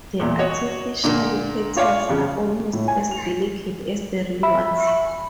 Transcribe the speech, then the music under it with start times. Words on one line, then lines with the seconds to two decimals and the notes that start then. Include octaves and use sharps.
The artificial petals are almost as delicate as the real ones.
0.20 E2 A#2
0.39 F#4 C#5 D#5
1.04 A#2 D3 A#3
1.76 F4 C#5 D5 F5
2.09 F2 C#3
2.73 A2
2.88 G#5
3.11 F7
4.43 E5 B5